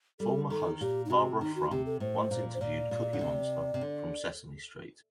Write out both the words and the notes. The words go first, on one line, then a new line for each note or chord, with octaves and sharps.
Former host Barbara Frum once interviewed Cookie Monster from "Sesame Street".
G3 A4
D#3 A4
A#2 G4
D#4
C3 F#4
D#3 D#4
F#4
C3 G4
A4
A2 C5
A#2
C5
A#2 D5
A#2
D3
C3
C3
D3